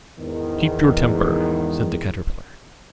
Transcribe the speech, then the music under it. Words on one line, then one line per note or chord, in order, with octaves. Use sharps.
'Keep your temper,' said the Caterpillar.
E2 G#2 D#3